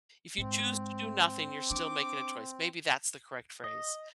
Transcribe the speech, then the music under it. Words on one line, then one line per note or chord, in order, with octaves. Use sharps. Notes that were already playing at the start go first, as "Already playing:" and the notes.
If you choose to do nothing, you're still making a choice. Maybe that's the correct phrase.
G#2 G#3 C4
D4 D6
D#5